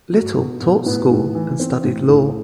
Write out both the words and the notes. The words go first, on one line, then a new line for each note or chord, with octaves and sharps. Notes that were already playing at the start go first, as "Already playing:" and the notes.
Little taught school and studied law.
F#3
B2
B2
A2 B3
A2
E3
E3 C4
A2
A2